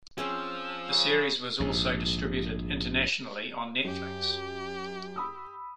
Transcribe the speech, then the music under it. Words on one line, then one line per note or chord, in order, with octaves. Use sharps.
The series was also distributed internationally on Netflix.
F3 C4 C#4 G#4 E6
C#3
A#1 G#2
F#2 G4
B5 D#6 E6